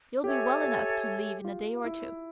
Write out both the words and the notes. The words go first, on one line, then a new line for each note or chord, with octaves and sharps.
You'll be well enough to leave in a day or two.
G4 A4 C#5 E5 G#5
G4
F4
E4